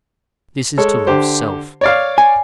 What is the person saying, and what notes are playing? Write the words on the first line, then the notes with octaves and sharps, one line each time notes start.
This is to love self.
G#3 A4 C#5
D3 G4 C5
C#5 D5 F5
G#5